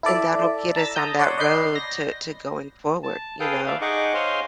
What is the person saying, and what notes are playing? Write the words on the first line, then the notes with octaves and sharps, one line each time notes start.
And that'll get us on that road to to going forward, you know?
E4 A4 D5 E5
A5 A#5 E6 A6 B6
A5 A#5 D#6 G6
C#5 D5 F#5 C6
D5 D#5 B5 G6 C7
A#6
A5
G#4 A4 B4 F5 G5 D#6
D5 E5 F5
D#4 G#4 D#5 F#5 C#6 D6
C5 C#5 D#5 F5 G#5 C6